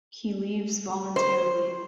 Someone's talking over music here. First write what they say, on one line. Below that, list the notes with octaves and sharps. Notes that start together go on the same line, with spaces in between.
He leaves voluntarily.
C5